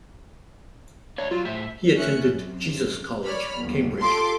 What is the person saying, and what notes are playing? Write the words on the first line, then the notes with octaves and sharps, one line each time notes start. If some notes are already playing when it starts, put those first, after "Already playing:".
He attended Jesus College, Cambridge.
D4 C#5 D5 E5
F#3 F4
A2 C5 E5
A3 C#4 E5 F#6 C#7
F#2 C3
C#5 D5 B5 F6
G1 D#2 F#3
F4 G4 A4 C6 D6